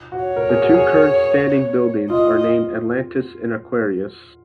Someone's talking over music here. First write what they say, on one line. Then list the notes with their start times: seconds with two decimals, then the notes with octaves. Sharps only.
The two current standing buildings are named Atlantis and Aquarius.
0.12 F#4
0.24 C#5
0.36 A#4
0.49 G#4
0.62 F#4
0.74 G#4
2.10 F4 D#5